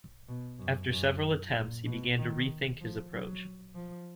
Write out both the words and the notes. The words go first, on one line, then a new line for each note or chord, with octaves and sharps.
After several attempts, he began to rethink his approach.
B2
F#2
F#2
A#2
B2
D#3
F3
F#3
F3